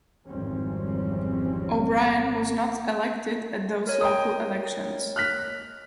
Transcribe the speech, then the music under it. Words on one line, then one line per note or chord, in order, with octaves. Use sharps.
O'Brien was not elected at those local elections.
G#1 F2 E3 G3 C4 C#4
A#4 C#5 D#5
G5 A#5 D#6
F6 F#6 B6